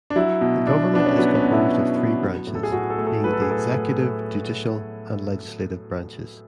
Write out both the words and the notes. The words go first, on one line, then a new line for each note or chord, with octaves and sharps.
The government is composed of three branches, being the executive, judicial, and legislative branches.
D4
F#3 E4
B2
B2 D4
B3 D4
C#4
F#3 B3
C#4
B2
E4
B2
B3
F#3
A2
A4
G#4
A2 F#4
A4
A3
A4
F#3 B4
A4
G#4
A2 A4
A2
A3